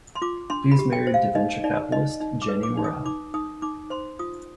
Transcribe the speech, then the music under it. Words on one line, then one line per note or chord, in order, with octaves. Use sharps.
He is married to venture capitalist Jenny Morel.
C6
F4 D6
D4 C6
B5
G4
G5
C5
F5
D#4 D#5
D#4 D5
D#4 D#5
D#4
D6
B4
D6
D#4
D#6
D#4 D6
D#4 D#6
D#4 D6
C5 C6
F4 D#6